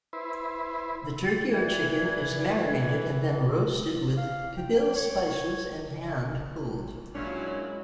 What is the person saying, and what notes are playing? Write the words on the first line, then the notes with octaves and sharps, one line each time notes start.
The turkey or chicken is marinated and then roasted with Pipil spices and hand-pulled.
E4 B4 C5
E3 D5 G#6
F5
G5
C#5
A#2 F#3 G#3 C#4 D4 E4 C#5 F5